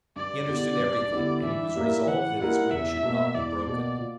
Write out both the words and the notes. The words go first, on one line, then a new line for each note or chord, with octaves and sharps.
He understood everything and he was resolved that his wing should not be broken.
G2 D5
D3 G3 B3 E4
G2
D3 G3 B3 E4
E3 E5
G3 A#3 E4 A#4
E3 F#5
G3 A#3 E4 A#4 F#5
E2 E5
B2 A#3
E2 D5
B2 A#3
A#2